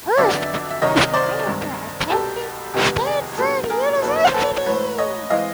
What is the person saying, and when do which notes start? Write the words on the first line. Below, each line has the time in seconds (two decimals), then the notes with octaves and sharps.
Huske has committed to attending Stanford University.
0.17 F2 D3 F#3 B3 D4 D5 E5
0.70 E5
0.82 C2 C3 D#3 F#3 C#5 D#5
1.14 C5 D5
1.46 G2 D#3 G#3 C4
2.10 C2 B2 G3 B3 G4 A4
2.74 F2 C3 D#3 G#3 B3 G4
3.06 G#4
3.38 A#2 F#3 B3 D4 G4 A4
3.70 G#4 A#4
4.02 E2 B2 F#3 A#3 D4 A4 B4
4.16 C#5
4.25 C5
4.34 A4 B4
4.66 G#2 E3 A3 B4 C#5
4.98 C#5 D#5
5.30 E3 G#3 C4 D#5 F5